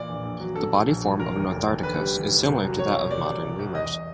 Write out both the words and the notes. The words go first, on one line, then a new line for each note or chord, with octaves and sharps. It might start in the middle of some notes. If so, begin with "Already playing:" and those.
The body form of "Notharctus" is similar to that of modern lemurs.
Already playing: A#2 E3 D5
A#1
A#1
F#3
A#1 A4
A#1
A#1
F#3
F1 A#4
D#2
F1
D#2
D3 B4
G3
D#2
F1
C2
F#3
F#3 C#5
B2
C2 D5
C2
C2
C2
E2 D#5